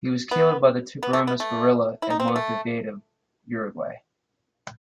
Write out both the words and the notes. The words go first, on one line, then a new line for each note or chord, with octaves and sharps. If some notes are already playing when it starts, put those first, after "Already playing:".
He was killed by the Tupamaros guerilla in Montevideo, Uruguay.
B3
B3
A3
B3
A3
E4
D#4
C4
B3
A3